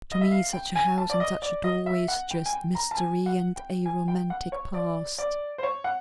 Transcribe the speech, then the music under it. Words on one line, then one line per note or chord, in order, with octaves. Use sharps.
To me such a house and such a doorway suggest mystery and a romantic past.
D#5
E5
F5
G5
G#5
A5
D5
D#5
D5
D#5
E5
F#5
G5
G#5
G5
A#5
A5
G#5
F#5
G5
G#5
G5
F#5
C#5
D5
D5
C5
C#5
F#5